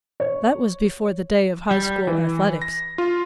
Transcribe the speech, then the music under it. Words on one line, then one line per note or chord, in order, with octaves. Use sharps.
That was before the day of High-School athletics.
C#5
G3
E3
A#6
F4